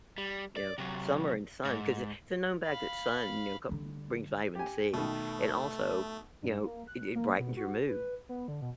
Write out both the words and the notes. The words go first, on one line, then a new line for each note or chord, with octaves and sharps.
You know? Summer and sun, 'cause i it's a known fact that sun, you know, ca brings Vitamin C. And, also, you know, it it brightens your mood.
G3
D5
C3 F#3
G#2
F5 B5
D3 G3
G4 G#5
B2 D#3 A3
G2
A#3
F#6
A#3
B2
F#4
B4
B3
D3
B2